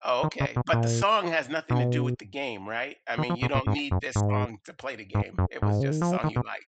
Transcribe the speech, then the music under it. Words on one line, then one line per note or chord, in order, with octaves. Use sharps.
Oh, okay. But the song has nothing to do with the game, right? I mean, you don't need this song to play the game, it was just a song you liked.
D#3
C#3
B2
A#2
B2
D#3
F3
B2
A#2
G#2
F#2
G#2
G#2
F#2
G#2
C#3
D#3
F3
F#3
D#3
B2